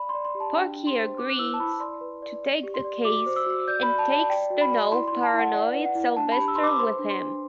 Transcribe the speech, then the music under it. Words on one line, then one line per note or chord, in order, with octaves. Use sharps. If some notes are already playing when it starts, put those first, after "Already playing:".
Porky agrees to take the case and takes the now-paranoid Sylvester with him.
Already playing: D5 B5
C6
D5
C6
G4
A5
D4 G5
D4
C6
C5
B4 D6
F#6
E4 E6
A5
E4 B5
D5 C6
B4
D5
D5
G4
C6
D5
F#4 D6
C5
E6
F#4
D5 G6
B5
D5
A5
D5 A5
D5 G5
F#4
B5
D5
E4 C6
E4 C6
A5
E4
F#5
D5 F#5
B4
F#5
E4
D4 A5
G4 B5
E6
C6
B4
D6
C5 C6
D4
C6
D4